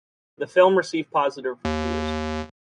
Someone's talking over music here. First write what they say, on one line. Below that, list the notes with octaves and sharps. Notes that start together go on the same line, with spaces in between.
The film received Positive Reviews.
D#2